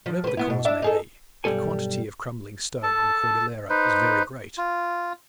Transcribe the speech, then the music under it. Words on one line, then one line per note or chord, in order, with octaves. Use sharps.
Whatever the cause may be, the quantity of crumbling stone on the Cordillera is very great.
F3
C4 B4
B3 E4
B2
D4 E5
D#4 G#4 A4
B1 G2 G3 G#3 A4 G#5
A4 A5
D#4 B4 C5
F4